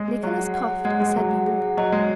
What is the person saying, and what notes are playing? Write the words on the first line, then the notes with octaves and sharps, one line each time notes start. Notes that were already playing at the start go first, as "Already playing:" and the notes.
Nicholas coughed and said no more.
Already playing: G#3
G#4
F#3 C#5
F#5
F#5
G#4
G#3 F#5
G#3 G#4
F#3 F#5
F#5
G#4
F#5
F#3 D#5
G#3 D#5